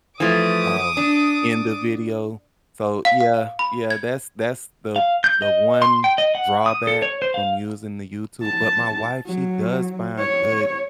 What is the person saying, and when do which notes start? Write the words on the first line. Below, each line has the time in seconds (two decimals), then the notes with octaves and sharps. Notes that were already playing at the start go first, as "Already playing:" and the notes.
um, in the video. So, yeah, yeah, that's that's the the one drawback from using the YouTube, but my wife, she does find good,
0.20 E3 F3 A3 D6 D#6
0.97 D4
3.05 F5
3.20 F5
3.59 B5
3.91 G#6
4.96 F5
5.24 G6
5.42 D#5
5.82 C6
6.04 G5
6.18 D#5
6.35 F#5
6.66 D#6
6.87 A4
7.02 C#5
7.22 C5
7.34 F5
8.43 A5
9.27 F#3
10.19 C#5